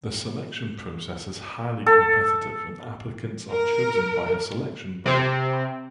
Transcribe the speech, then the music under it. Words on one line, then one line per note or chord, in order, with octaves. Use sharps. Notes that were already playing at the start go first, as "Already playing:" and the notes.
The selection process is highly competitive, and applicants are chosen by a selection board.
A4
A#4
C3 C4